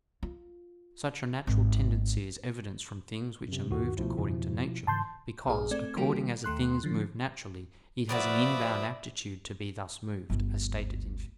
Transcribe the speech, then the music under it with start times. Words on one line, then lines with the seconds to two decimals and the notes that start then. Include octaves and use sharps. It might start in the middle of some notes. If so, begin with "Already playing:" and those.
Such a natural tendency is evidenced from things which are moved according to nature: because "according as a thing is moved naturally, it has an inborn aptitude to be thus moved," as stated in Phys.
0.23 F4
1.47 G#1
3.48 F#2 C3
3.71 D2 G2 D#3 F#4
3.98 C#2 B2 F3 A3 E4
4.17 F2 C#3
4.87 G#2 C#3 E3 A5 C6 G6
5.47 A#1 A#2 G#4
5.71 A3 C4 D5 G#6
5.96 D#3 G3 A#3 F#4 G4
6.44 D#2 A3 C6 F#6
6.83 D3 F3
8.09 A#2 F3 F#4 B4 D5 E5 D#6
10.30 G1 D2